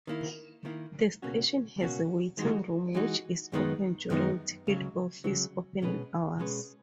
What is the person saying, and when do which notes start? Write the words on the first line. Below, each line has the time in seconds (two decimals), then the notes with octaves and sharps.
The station has a waiting room which is open during ticket office opening hours.
0.07 D#3 A#3 E4
0.65 D#3 A#3 E4
1.22 C#2 B2 A#3 C#4 F#4
1.80 C#2 B2 A#3 C#4 F#4
2.37 E3 G#3 D#4 F#4
2.94 E3 G#3 D#4 F#4
3.52 F#2 D#3 G#3 B3 D#4
4.10 F#2 D#3 G#3 B3 D#4
4.67 C#2 C#3 F#3
5.24 C#2 C#3 F#3
5.82 B2 G#3 C#4 G#4 B4
6.39 B2 G#3 C#4 G#4 B4